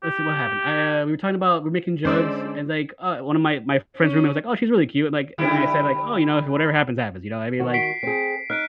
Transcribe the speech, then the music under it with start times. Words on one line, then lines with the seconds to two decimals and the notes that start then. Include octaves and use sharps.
let's see what happened? Eh, we were talking about we're making jokes, and, like, uh, one of my my friend's roommate was like, "Oh, she's really cute," like, and then I said, like, "Oh, you know, if whatever happens happens," you know what I mean? Like,
0.03 G4
2.05 D3 G#3 C#4 C5 D5 E6
4.00 C#4
5.38 D3 G3 E4
7.60 D#3 F#4
7.74 B6 C7 D7
8.03 C4 G#4
8.50 D#4 F6 F#6 D7